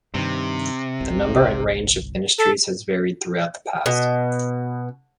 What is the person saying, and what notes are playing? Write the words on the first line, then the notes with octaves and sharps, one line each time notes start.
The number and range of ministries has varied throughout the past.
G2 C3 D#3
G1 C2
A4
B2